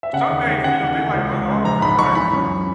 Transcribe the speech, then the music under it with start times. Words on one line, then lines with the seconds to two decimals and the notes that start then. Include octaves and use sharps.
Well some days, you know, they, like, run off, and I'm, like
0.03 E5
0.13 C#3 F#5
0.30 D#2
0.47 D#2
0.64 C#3 F#5
0.81 E3
0.97 E3
1.14 C#2
1.31 C#2
1.48 C#2
1.64 A#1 A#5
1.82 G#2 B5
1.99 A#1 C#6
2.15 E3 B5
2.33 F#2